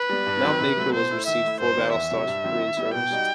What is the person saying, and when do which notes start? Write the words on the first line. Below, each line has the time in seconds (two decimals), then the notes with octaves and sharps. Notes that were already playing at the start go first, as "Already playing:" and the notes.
"Mount Baker" received four battle stars for Korean service.
Already playing: B4
0.09 G3 B3
0.27 G2
0.43 D#3 F#3 C4
0.61 C3
0.77 F#3 A3 C4
0.93 B2 C5
1.10 A3 E4
1.27 D#3 E5
1.44 A3 E4
1.60 G2 C5
1.77 D#3 G3 B3
1.93 E2 E5
2.11 C3 F#3
2.28 G2
2.44 D#3 F#3 C4 E4
2.61 D#3
2.77 G3 B3 E4
2.94 B2 G5
3.11 G3 D#4 F#4